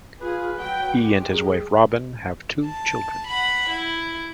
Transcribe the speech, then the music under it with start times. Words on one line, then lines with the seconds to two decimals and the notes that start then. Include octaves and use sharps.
He and his wife Robin have two children.
0.21 F4 G#4 B4
0.58 F#3 F#5 G5
0.97 G#3 G4
1.28 F#3 G#4
2.66 A5
3.27 F#5 B5
3.70 E4